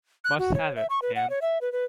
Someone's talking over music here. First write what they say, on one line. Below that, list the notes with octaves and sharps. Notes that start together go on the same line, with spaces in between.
Must have it, ma'am.
F#6
F#4
C#5
E5
C#6
B4
F#5
C#5
E5
B4
B4